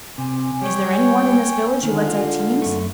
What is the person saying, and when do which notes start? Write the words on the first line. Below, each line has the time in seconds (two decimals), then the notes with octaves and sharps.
"Is there any one in this village who lets out teams?"
0.18 C3 G#5
0.62 G3 C#5 G5
1.83 D3 D#3
2.06 F4
2.62 F#2 A3